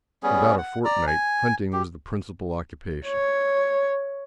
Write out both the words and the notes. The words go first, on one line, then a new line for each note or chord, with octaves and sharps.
For about a fortnight hunting was the principal occupation.
G3 B3 C#4 G#4
F#5
D5 A#5
G#5
G4
C#5